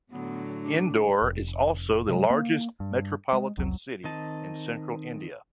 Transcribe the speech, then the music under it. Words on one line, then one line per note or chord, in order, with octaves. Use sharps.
Indore is also the largest metropolitan city in Central India.
A2 D3 F#3 B3
D4
F1
C3 F#3 G#3
A#3
G2
G#3
F1 C2 F2 F#3
D#3 C4 D#5 A5